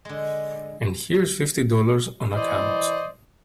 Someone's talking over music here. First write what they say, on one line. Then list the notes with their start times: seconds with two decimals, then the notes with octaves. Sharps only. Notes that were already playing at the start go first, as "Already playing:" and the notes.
And here's fifty dollars on account.
0.05 D3 G#3
2.36 E3 C5 D5 D#5